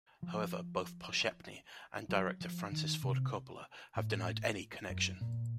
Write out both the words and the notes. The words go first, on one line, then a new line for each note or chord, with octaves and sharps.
However, both Poshepny and director Francis Ford Coppola have denied any connection.
F3
F#3
F3
D#3
C3
A2
F#2
A#2